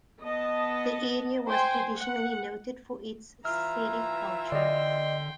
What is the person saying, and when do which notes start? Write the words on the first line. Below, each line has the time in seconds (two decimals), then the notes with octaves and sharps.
The area was traditionally noted for its sericulture.
0.23 B3 D#5 A5
1.47 C5 G5 G#5 C6
1.96 F#5
3.45 E3 F4 E5 A#5 F6
4.52 D3 D5 D#5 G5 C6